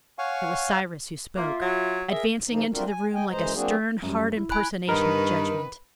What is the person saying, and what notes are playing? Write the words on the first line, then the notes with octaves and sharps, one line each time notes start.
It was Cyrus who spoke, advancing into the room like a stern, hard impersonation of judgment.
C#5 F5 F#5 G#5 C#6
A#3 F4 E5
F#3
G#4 A#4 E5
C#3 F3 A#3 D#4
A3 C4 D4 F4 F#4 A#4
G#5
D#5 G5 G#5
F#2 E3 G#3 C5 D#5 A#5
F#3 A#3 C4 D4 F#4 G#4
F#2 G3
E4
G#5 B5 F#6
G2 D#3 A#4 B4